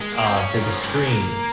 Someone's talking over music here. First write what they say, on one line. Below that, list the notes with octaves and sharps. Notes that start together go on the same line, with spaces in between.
uh, to the screen,
G#3
A#3
C4
C#4
D#3
F3
G3
G#3
A#3